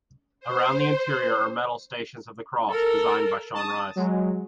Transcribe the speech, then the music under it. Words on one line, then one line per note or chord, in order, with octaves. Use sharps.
Around the interior are metal Stations of the Cross, designed by Sean Rice.
C5
A4 A#4
A5 D#6
F#3 G#3